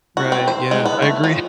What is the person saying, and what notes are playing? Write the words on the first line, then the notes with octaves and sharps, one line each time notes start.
Right. Yeah, I agree.
F#4
C4
C5
G#3
B3
A3
F3